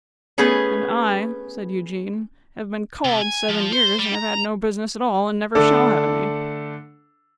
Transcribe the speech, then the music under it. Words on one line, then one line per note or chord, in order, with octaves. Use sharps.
'And I,' said Eugene, 'have been "called" seven years, and have had no business at all, and never shall have any.
A3 B3 C#4 G#4 B4
C3
G#5
F3
C5
G3
A#5
D3 A3 D4 A4